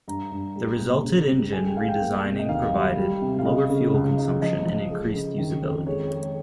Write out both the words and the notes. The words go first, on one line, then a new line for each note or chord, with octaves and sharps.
The resulted engine redesigning provided lower fuel consumption and increased usability.
G2 A#5
G2
G3
A#2
C#3
G3
G#3 G#5
G5
G#3 F5
G5
A#3
C3
D#5
D#2 F5
G3
G3
C3
F5
C#3 D#5
C#3
C#2
D#4
F3 D#5
F3
G#3
C#3
D#3
F2
G#3 C#5
G#3